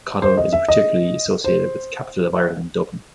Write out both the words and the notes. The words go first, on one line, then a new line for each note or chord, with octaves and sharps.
Coddle is particularly associated with the capital of Ireland, Dublin.
C5
D#5
E5
D#5
C5